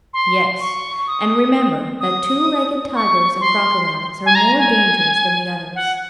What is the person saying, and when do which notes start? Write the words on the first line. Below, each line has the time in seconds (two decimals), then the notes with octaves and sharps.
"Yes; and remember that two-legged tigers and crocodiles are more dangerous than the others."
0.14 C6
0.60 C#6
1.08 D#6
2.00 D#6
2.95 C#6
3.41 C6
4.26 G#5
4.35 A#5
4.58 G#5
5.75 F#5